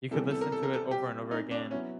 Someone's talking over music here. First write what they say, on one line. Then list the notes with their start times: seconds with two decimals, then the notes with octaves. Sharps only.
you could listen to it over and over again,
0.11 C3 E3 G3 B3 A4
0.31 A4
0.41 A#4
0.52 A4
0.63 A#4
0.73 A4
0.91 G4
1.31 D#4
1.51 D4
1.71 F#3 B3 C#4 E4